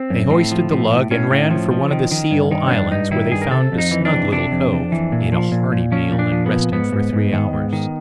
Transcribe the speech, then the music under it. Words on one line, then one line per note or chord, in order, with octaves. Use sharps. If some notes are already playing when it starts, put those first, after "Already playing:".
They hoisted the lug and ran for one of the Seal Islands, where they found a snug little cove, ate a hearty meal, and rested for three hours.
Already playing: C4
F#2
A2
F3
A2
A2
A2 C#4
A2
F3
F3
D#3
D#3
G2
D#3
C#4
G2 D4
G2 D#4
D#3 E4
G2 G#4
A#4
C3 A4
F2
D#4
E3
D4
C3
C3 D4
F2
F2
E3
A#2
F3
A#2
A#2
F3 C#4
A#2
D4
F3
B3
A#2
G#2 B3
G#2
G#2
D#3
G#2
D#3